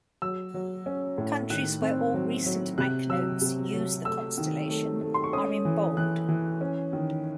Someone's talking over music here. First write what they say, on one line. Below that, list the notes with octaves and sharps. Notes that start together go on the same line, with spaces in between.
Countries where all recent banknotes use the constellation are in bold.
F#3 E6
F#3
C#4
A2
D#3 F#6
C4
F#3
F#3
C3 F#6
F#3 E6
C3
F#3
A3 E6
D#3
A3
A3
C6
C#6
C#4 D#6
E3
E3 F#6
E3
C#4
D#3